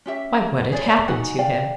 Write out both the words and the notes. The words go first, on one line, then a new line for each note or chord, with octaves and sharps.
Why, what had happened to him?
C#4 G4 E5
G#4 C#5 D5 E5
D#4 F#4 F#5 G#5
D5 F5 G5